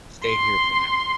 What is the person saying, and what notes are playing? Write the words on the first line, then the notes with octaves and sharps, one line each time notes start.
Stay here for now.
C6